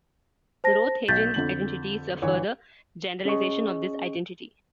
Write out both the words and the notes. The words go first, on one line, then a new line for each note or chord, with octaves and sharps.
The Rothe-Hagen identity is a further generalization of this identity.
C5 A5 A#6
B1 G6 A6 B6
F2 D3 F#7
G1 E3 C#5
C#4 G#4 D#5 C#6